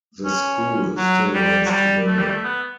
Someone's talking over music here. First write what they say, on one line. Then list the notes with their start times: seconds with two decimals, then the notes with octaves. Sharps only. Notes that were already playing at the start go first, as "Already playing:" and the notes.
The school still runs today.
0.25 C#4
0.97 F#3
1.34 G3
1.66 F#3
1.71 G3
2.06 A3
2.19 G3
2.30 A3
2.44 B3